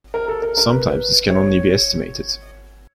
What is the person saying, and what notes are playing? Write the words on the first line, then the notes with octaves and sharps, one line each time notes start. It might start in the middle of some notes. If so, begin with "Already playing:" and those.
Sometimes this can only be estimated.
A#4
A4
A#4
A#4
B4
C#5